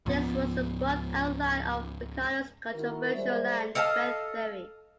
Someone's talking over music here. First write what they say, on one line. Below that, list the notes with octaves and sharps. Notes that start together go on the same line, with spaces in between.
This was the broad outline of Ricardo's controversial land rent theory.
C#2 G#2 F3 B3
D#3 E4 F#4 A#4
G3 G#3 A#3 C5 D5 E5
A4 D#5 F5 A5